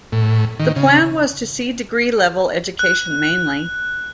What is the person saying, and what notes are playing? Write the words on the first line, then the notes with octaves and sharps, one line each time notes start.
The plan was to see degree level education mainly.
A2
D#3
C#3
F#6